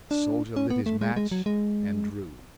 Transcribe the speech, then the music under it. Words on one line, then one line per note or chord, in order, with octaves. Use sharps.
The soldier lit his match, and drew.
D4
C#4
B3
A3
G#3
G#3
F#3
G#3